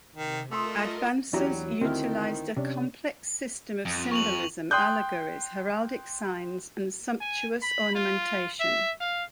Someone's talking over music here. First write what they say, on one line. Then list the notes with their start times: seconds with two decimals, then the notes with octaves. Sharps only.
Advances utilized a complex system of symbolism, allegories, heraldic signs, and sumptuous ornamentation.
0.16 C3 D#3
0.51 A3 F4 A#4 D#5 C6 D#6 E6
1.33 E2 F#3 D4 E4 F#4 G4 A#5
1.81 D2 D#3 C4 E4 F6
2.56 C3 C#4 D4
3.85 F2
4.11 C#6 F7 F#7
4.71 G5 C6 D#6 F#6 G6
7.21 G#5
7.62 B5
7.95 F4
8.60 E5
9.00 F5